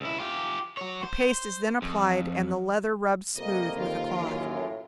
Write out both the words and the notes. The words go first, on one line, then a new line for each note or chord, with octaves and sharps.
The paste is then applied, and the leather rubbed smooth with a cloth.
C#2 E4
F4 G4
F#4 C#5
C5
F2
F2 C3 G3 A#3 D#5
D#2 F4 A#4
A1 F#2
A2